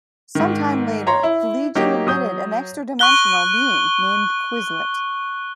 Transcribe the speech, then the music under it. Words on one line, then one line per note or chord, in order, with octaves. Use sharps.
Some time later, the Legion admitted an extra-dimensional being named Quislet.
G#2 D#3
C#5 A#5 C6
E4
F#3 A#3 D#4 G4
F#3 D#6 G6
C#6 F#6 G7